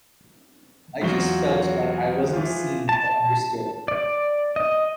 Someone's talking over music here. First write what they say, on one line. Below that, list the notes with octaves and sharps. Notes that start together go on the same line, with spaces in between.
I just felt like I wasn't seen or understood.
E2 F#3 F4 F#4 G7
E3 F3 F4
A5
D5
D#5